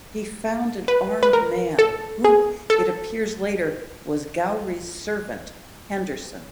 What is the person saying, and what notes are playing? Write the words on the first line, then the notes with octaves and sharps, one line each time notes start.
He found an armed man, who, it appears later, was Gowrie's servant, Henderson.
B4
B4
A#4
A4
G#4
A4